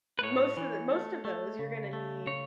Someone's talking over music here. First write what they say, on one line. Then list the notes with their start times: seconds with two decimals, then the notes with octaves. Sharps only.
most of the most of those, you're gonna need
0.19 B4
0.23 A2 C#5
0.57 E3
0.91 A3
1.25 A3
1.59 C#3
1.93 A3
2.27 C#3 C#5